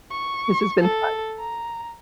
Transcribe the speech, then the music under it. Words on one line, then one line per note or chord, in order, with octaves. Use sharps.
This has been fun.
C#6
A4
A#5